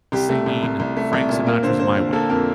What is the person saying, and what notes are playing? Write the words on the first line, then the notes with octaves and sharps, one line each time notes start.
singing Frank Sinatra's "My Way."
C2 G4
A3
C2
C2
C2
A3
C2
A#2
A#3 A#4
D3 C5
D3 C5
D3
A#3 A4
F2 A#4